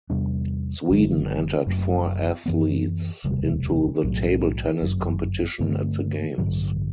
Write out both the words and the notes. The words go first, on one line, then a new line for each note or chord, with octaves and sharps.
Sweden entered four athletes into the table tennis competition at the games.
E2 C3 G3 D4
F#1 F#2 D3 F#3
F#1 F#2 F#3 A3
F#2 E3 B3
E1 D2 C3 G3
B1 A2 F#3
G1 F#2 F#3
G2 D3 A3 C4
A1 G2 D3 F#3